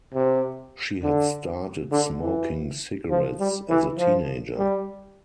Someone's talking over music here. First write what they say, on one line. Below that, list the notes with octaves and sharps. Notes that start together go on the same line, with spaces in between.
She had started smoking cigarettes as a teenager.
C3
D3
D3
E3
F3
G3
E3
F3
G3